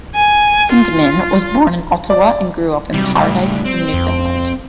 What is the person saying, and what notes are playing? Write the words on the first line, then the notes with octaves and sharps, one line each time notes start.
Hyndman was born in Ottawa and grew up in Paradise, Newfoundland.
G#5
F4
D5
C3 F#3 G3
C#2 A2 G3
C4
F2